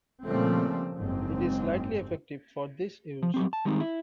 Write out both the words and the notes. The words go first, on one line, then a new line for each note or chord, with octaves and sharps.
It is slightly effective for this use.
A#2 C#3 F3 G3 A3 C4
F#1 G#2 C4
F3
F#3 G3 C4
A5
D#3 G3 G#3 C4 D#4
E4